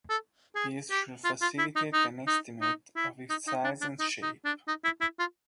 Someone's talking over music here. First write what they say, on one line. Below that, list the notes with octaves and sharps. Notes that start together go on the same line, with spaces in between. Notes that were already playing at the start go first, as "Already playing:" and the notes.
This should facilitate an estimate of its size and shape.
A4
G#4
G4
F4
F4
E4
D#4
D#4
D#4
D#4
E4
D#4
D#4
D4
D4
D#4
D#4
D4
D#4
E4
E4
F4